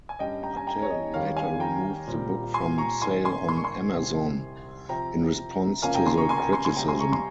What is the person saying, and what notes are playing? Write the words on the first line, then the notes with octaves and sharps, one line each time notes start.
Mattel later removed the book from sale on Amazon in response to the criticism.
G#5
G2 G3 C#4 D#5 G5
G5 A#5
G#5
G5 A#5
C#5
D#5
D#2 D#3 G3 A#3 C#5 F5
F5 G#5
G5 A#5
A#2 G3 C4
G#5 C6
A#5 C#6
G#2 D#3 A#3 G#5 C6
G#5 C6
C6
C#6
G#5 C6
C2 C3 G3 C4
C3 F3 C4 G5 A#5
C#2 C3 F3 A#3 C#4 F5 G#5
G5 A#5
G#5 C6
A#5 C#6
G#5 C6
G5 A#5
G#5 C6
G#5 C6
C3 G3 C4 G5 A#5
G#5 C6
A#5 C#6
G#5 C6